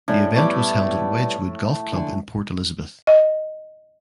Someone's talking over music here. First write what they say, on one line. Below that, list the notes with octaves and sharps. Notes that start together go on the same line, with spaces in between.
The event was held at Wedgewood Golf Club in Port Elizabeth.
A2 G#3 D4 D#4
G3 A3 B3 E4 D6
D3 G#5
D#5